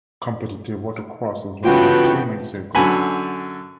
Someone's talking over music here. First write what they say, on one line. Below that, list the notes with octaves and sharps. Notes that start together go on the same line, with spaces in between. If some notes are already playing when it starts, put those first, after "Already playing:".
Competitive watercross is run by two main circuits.
C#3 E3 B3 F4 F#4 A4 G5
F#2 D3 G#5 B5